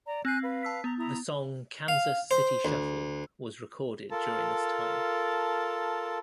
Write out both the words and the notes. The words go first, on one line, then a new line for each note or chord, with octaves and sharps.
The song Kansas City Shuffle was recorded during this time.
D5 A#5
C4 G#5 F#6 G6 C7
B4 F5
A5 E6 B6
B3 A#5
E4 A#5 D#6
F5
C5
D2
F4 A4 A#4 A5